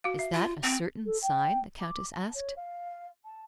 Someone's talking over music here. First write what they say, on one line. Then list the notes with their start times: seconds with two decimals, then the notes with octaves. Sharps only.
"Is that a certain sign?" the Countess asked.
0.04 F#4 F5
0.19 E5
0.34 F4
0.63 C4
1.05 A4
1.22 G5
1.80 D6
2.12 A5
2.34 C#5
2.56 F5
3.24 A5